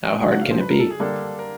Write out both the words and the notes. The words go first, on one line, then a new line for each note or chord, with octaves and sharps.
How hard can it be?
C#3 F#3 A3 D4 F#4 F#5
F#5
F5
C5
B4
A#4
A4
G#4
D3 G3 A#3 D4 A4
A#4